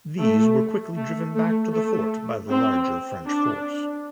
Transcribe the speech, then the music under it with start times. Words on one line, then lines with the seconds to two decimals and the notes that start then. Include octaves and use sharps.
These were quickly driven back to the fort by the larger French force.
0.19 A3
0.97 A3
1.35 A3
1.73 A3
2.50 C4
3.27 D4